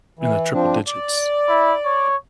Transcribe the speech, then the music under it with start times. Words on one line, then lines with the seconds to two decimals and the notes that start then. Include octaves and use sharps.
in the triple digits,
0.19 E3
0.53 F3 C4 D4
0.87 D5
1.49 E4
1.85 C#5